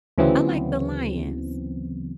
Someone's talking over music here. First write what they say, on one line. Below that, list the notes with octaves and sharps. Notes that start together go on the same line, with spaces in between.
I like the Lions.
D2 C#3 E3 F#3 B3 C4